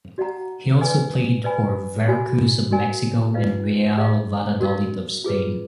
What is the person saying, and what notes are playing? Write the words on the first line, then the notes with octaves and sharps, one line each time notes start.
He has also played for Veracruz of Mexico and Real Valladolid of Spain.
F#4 D5 F#5 A#5
B4 D5 G#5
B4 D5 G#5 B5
F#4 D5 G#5 B5
F#4 A#4 D5 G#5
F4 B4 D5 F5
G#4 D5 F5
F#4 A#4 D5 F5
F4 G#4 B4